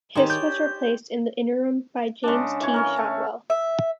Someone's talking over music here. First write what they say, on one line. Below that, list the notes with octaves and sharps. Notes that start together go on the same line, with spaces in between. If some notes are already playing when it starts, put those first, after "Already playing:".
Hiss was replaced in the interim by James T. Shotwell.
D#3 G4 G#4 C5 C#5
D5 G6
C#3 G#3 D4
E3 C#5
A#4 C#5 F5
A3
E5